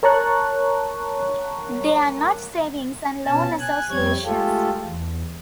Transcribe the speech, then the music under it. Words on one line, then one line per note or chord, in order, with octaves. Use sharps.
They are not savings and loan associations.
A#4 C#5 A5 A#5 C#6 F#6
B2 C#4 A5
G#5 F#6
F2 G3 C4 C#5 G#6
G#3 A3 F4 G4 A4
E2